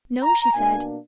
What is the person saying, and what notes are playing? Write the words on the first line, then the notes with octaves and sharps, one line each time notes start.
"No," she said.
A#5
B2 A#3 D4 G#5